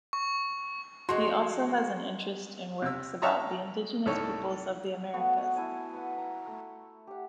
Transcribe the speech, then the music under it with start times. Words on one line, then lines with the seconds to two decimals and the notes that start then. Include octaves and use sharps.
He also has an interest in works about the indigenous peoples of the Americas.
0.13 C#6
1.09 F3 G#3 F#4 C6
2.82 C3 E6
3.22 C#5 E5 A5 A#5 C6 D#6
4.06 C2 G#2 A3 A4 C#5
5.14 A3 B3 F#4
5.55 E4 A4 G#5 A5
5.94 B4 F#5
6.18 A#5
6.47 A3
7.07 G4 F#5